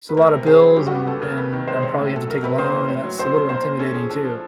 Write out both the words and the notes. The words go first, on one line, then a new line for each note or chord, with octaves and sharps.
it's a lot of bills and and I'm probably gonna have to take a loan and that's a little intimidating too.
B4
D2 A#4
C3
C4 G#4
F#3
G3 G4
F#4
B3 G4
D#2 A4
C#3 A#4
D#2 B4
D#3 B4
G#3 C5
C3 C#5
A2
F#3 A4
F#3 A#4
C3 B4
A#3 C5
E3
A2 C#5
F#3
F2 C5
C#3
A#3 C5
A#2
C#4 A4
F3 G#4
D4 A4
F3